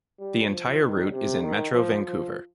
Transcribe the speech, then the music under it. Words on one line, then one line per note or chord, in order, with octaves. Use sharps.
The entire route is in Metro Vancouver.
G3
F3
D#3
C3
D#3
F3
F3